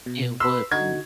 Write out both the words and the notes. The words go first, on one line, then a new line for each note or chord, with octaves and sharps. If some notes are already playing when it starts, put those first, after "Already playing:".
It would be.
B2
B4 B5 C6 E6
D3 D#4 F#4 G#6